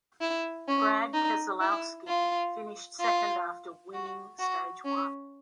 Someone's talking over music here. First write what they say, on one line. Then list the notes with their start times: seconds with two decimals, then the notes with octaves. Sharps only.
Brad Keselowski finished second after winning stage one.
0.21 E4
0.68 C#4
1.14 D#4
1.61 E4
2.07 F4
3.00 F4
3.93 F#4
4.39 F#4
4.85 C#4